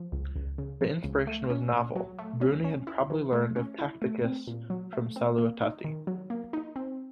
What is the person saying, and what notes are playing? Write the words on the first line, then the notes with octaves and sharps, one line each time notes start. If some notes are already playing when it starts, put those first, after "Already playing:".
The inspiration was novel-Bruni had probably learned of Tacitus from Salutati.
Already playing: F3
C#2
C#2
C#3
F3
C#2
A3
C#4
A#2
F#3
A3
C#4
C#4
E4
E3
A3
C#4
E4
A3
C4
A#2
F#3
A3
C4
A#3
D#4
D#3
F#3
A#3
D#4
C4